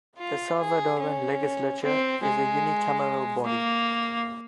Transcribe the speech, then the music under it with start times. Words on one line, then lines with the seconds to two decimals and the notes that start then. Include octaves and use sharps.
The Salvadoran legislature is a unicameral body.
0.18 F4
0.59 G#4
1.00 C#4
1.82 C4
2.22 G#3
3.45 A#3